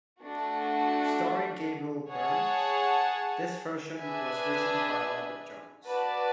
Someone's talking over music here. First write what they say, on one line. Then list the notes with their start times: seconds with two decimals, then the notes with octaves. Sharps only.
Starring Gabriel Byrne, this version was written by Robert Jones.
0.20 A3 D4 F#4
2.09 G#4 C#5 F#5 A5
3.98 D4 G#4 B4 E5 G#5
5.86 F#4 B4 D5 A5